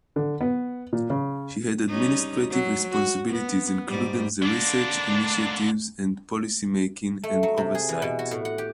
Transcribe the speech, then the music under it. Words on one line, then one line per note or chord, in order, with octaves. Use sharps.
She had administrative responsibilities including the research initiatives and policy making and oversight.
D3
B3
A#2
C#3
G3 C#4 D#4
F#3
F#4
B3
G#2 G3
D3 A#3 D4
A3
F#3
C3
G#4
E3
B2
F#4
A2
F#5
G4